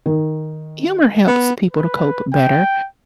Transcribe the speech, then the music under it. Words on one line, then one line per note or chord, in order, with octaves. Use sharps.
humor helps people to cope better,
D#3
B3
B4
G5